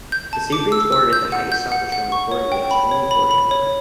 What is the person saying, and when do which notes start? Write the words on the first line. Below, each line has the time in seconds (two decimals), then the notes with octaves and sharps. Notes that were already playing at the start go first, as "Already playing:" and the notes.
The Supreme Court is the highest South Australian court in the Australian court hierarchy.
0.12 G6
0.33 A5
0.52 D6
0.72 E6
0.92 E6
1.13 G6
1.32 F#5
1.52 G6
1.72 F#5
1.92 F#5
2.12 C#6
2.32 C#5
2.52 G5
2.71 B5
2.91 C#5
3.11 B5
3.31 B5
3.51 C#5